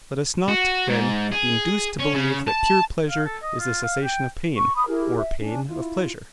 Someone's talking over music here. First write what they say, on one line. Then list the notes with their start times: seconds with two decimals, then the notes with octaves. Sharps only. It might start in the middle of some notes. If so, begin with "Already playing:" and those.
Let us not, then, be induced to believe that pure pleasure is the cessation of pain, or pain of pleasure.
0.48 F#4
0.88 G#2
1.32 G#4
1.99 C#4
2.14 C#3
2.47 A5
3.09 F5
3.25 A4
3.43 D#5
3.59 F4
3.82 F5
4.04 G5
4.58 C#6
4.75 B5 D#6
4.88 E4 G4 G#4 A#4
5.18 E5
5.39 C#4 D4
5.69 E4 F4